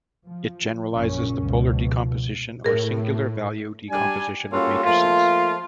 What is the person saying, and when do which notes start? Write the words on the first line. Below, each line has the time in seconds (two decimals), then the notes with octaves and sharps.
It generalizes the polar decomposition or singular value decomposition of matrices.
0.24 F3
0.94 A#1 F#2 A#2 C#3 C#4
1.42 C#2 B2 F3
2.64 A2 G#4 A#4
3.91 G3 D4 G#5
4.52 G3 A#3 C#4 F4 F#4 A4
4.84 F3 A3 A#3 F4